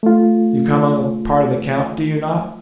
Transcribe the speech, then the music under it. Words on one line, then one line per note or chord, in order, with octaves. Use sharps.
"You come on the part of the count, do you not?"
A3 F4